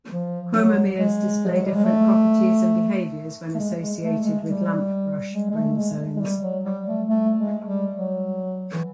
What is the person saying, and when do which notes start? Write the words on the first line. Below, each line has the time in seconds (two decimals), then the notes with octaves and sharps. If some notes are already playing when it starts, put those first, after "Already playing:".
Chromomeres display different properties and behaviours when associated with lampbrush chromosomes.
0.10 F3
0.53 F#3
0.97 G#3
1.46 F3
1.56 F#3
1.65 G3
1.75 G#3
1.84 A3
3.54 A3
3.59 G#3
3.80 G#3
4.02 A3
4.24 G#3
4.46 G3
5.34 G#3
5.51 G#3
5.55 A3
5.77 G#3
6.17 G#3
6.20 G3
6.42 F#3
6.64 G3
6.87 A3
7.09 A3
7.38 G#3
7.66 G3
7.96 F#3
8.73 E3